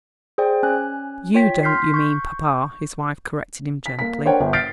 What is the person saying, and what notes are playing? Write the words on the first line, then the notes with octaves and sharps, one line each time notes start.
"You don't, you mean, papa," his wife corrected him gently.
G#4 C5 D5 G5
C#4 G#5 F#6
F4 C#5 G5 B6
C6 F6 G6 B6 C7
C#6 G6
B6
A#3 B6
D4 A#4 C5 C#5 F#5 G5
G1
F6 G6 A6 B6 C7 D7